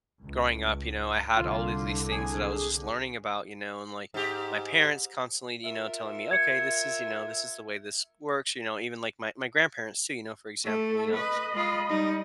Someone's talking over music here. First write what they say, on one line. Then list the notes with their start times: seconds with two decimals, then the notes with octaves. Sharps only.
growing up, you know, I had all of these things that I was just learning about, you know, and, like, my parents constantly, you know, telling me, "Okay. This is, you know, this is the way this works," you know? Even like my my grandparents too, you know? For example, you know,
0.24 C#2
1.36 C2 D3 F4
2.11 G#4
4.14 G#2 G4
5.64 F4 A#4 E5
6.31 G#6 C#7
10.65 A3 A4
11.15 B4 D#5 B5
11.53 G#3 F4
11.89 G3 D#4